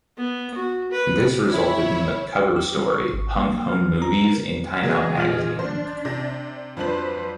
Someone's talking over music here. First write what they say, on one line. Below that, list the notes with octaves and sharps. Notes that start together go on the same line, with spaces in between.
This resulted in the cover story, "Punk Home Movies" in "Time Out" magazine.
B3
F#4
B4
E4 C#5
G4
G3
C#6
G#1
A#3
F6
A#5
A#4
E3 F#3 A#3 B3 G#4 D#5
A#2 F6 F#7
D4 C5
C3 A#6
F2 F#3 D4 B4 C5 F#7